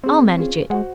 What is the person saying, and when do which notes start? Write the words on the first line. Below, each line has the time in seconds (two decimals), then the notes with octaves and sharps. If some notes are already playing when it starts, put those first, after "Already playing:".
I'll manage it.
0.03 C4 C#4 G#4 C5
0.37 C#4 F4 G#4
0.70 G#3 F#4 C5 F#5